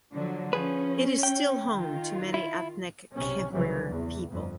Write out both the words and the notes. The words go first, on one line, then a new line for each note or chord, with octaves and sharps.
It is still home to many ethnic Khmer people.
D3 F3 F#3
F3 C#4 G#4 B4
G5
D#3 F4
E4
B1 C3 C#4
F1 C2 C#3 E3 F#3
E2
G1 F2